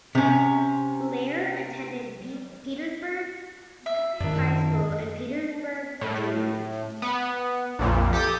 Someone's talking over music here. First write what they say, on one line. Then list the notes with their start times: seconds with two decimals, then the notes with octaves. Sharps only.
Blair attended Petersburg High School in Petersburg, Virginia.
0.15 C3 C#4
3.86 E5
4.20 F#2 D#3 D4
6.01 A2
7.02 B3
7.79 A#1 F2 A#2
8.13 G4 A4 D6 D#6